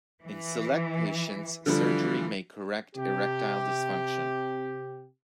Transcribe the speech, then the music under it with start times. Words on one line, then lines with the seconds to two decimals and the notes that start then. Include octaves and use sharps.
In select patients surgery may correct erectile dysfunction.
0.24 E3
1.66 D3 E3 F3 G3
2.96 C3 G4